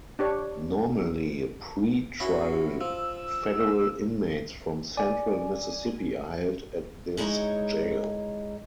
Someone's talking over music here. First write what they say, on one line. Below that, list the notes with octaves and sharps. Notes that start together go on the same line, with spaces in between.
Normally pre-trial federal inmates from central Mississippi are held at this jail.
D4 G4 C#5
C#4 E4 F#4
F3 E6
D5 G#5
G#3 D#4 E4 C#5 D#5 A#5